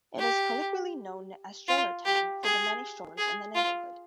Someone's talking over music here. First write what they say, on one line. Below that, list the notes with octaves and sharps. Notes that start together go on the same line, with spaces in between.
It is colloquially known as Stroller Town, for the many strollers in the neighborhood.
G4
F4
G4
G#4
G#4
F4